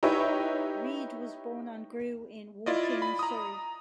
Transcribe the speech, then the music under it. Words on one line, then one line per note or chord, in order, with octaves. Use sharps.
Reed was born and grew in Woking, Surrey.
D#4 E4 G4 B4 C#5 E5
E4 F4 D5 D#5
B5
A#5 D#6